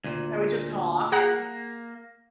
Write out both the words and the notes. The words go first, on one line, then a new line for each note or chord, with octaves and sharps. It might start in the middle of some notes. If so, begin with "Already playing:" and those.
And we'd just talk and
D2 A#2
A#3 G#4 F#5 A#5